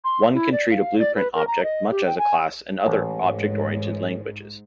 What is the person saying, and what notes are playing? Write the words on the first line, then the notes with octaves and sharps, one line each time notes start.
One can treat a blueprint object much as a class in other object-oriented languages.
C6
E4
D5
F5
D5
B4
A#4
A#5
D#5
G4
G5
G#5
A1 G#2